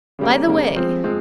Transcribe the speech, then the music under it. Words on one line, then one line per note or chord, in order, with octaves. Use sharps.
"By the way!"
C#3 G3 A#3
C#3 G3 A#3
F3 G#3 C4
F3 G#3 C4